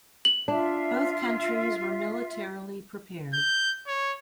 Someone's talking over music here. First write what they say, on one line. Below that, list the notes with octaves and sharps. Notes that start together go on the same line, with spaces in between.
Both countries were militarily prepared.
F#7
D4 F4 E5
G6
C#5